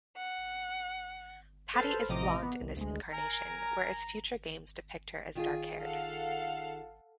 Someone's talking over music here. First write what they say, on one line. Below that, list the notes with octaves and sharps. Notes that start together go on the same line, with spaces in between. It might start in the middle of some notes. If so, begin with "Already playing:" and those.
Patti is blond in this incarnation, whereas future games depict her as dark-haired.
F#5
A4 B4 C5 A5 F6
A1 C3 F3 D#5 A#5 D6
B3
C2
D2 G#3
A#4 G#5 A#5
D#3 F4 G#4
A4 F5 F#5